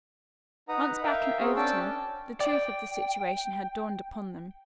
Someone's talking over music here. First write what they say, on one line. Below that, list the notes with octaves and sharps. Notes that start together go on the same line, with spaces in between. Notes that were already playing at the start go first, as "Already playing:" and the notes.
Once back in Overton, the truth of the situation had dawned upon them.
D#4 B4 F#5 A#5 D#6
A#4 E5 F5 G5
C4 F#4 G#4 A#4
C#4 D4 G5 A5 E6
D5 G5